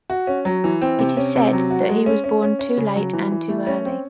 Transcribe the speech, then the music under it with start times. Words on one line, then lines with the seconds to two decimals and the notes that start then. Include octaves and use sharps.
It is said, that he was born too late and too early.
0.10 F#4
0.27 C#4
0.45 F#3
0.64 E3
0.82 C4
0.99 C3
1.17 C#4
1.35 C3
1.53 F#3
1.71 F#4
1.89 G#3
2.06 C#4
2.24 C#4
2.43 C#4
2.59 C#4
2.78 C#3
2.96 F#3
3.13 E3
3.31 E3
3.49 A3
3.67 C#4
3.85 C4